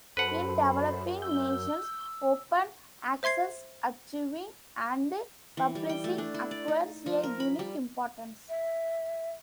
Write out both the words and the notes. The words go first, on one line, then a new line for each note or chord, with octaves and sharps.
In developing nations, open access archiving and publishing acquires a unique importance.
F#2 A4 B4 C5 F#5 B5
E6 G6
C5 E5 C6 G#6 C7
E3
G3
G5
A3
D4
E4
D5
D#4
F3
A#4
B5
G3
E5